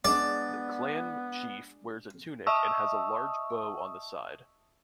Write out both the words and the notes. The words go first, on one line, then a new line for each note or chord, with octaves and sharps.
The clan chief wears a tunic and has a large bow on the side.
G#3 B3 D4 D5
D#5 E5 A5 C#6 D#6 E6